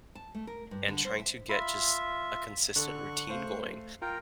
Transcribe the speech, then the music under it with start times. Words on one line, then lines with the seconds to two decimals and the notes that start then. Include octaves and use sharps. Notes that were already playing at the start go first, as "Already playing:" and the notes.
and trying to get just a consistent routine going.
0.15 A5
0.35 A3
0.47 A#4
0.71 G2
0.88 D3
1.05 C5
1.20 E5
1.49 F4 E5 B5
2.76 D3 A4 C#6 F#6
3.29 A3 C5 F5
4.02 F4 A#4 G5 A#5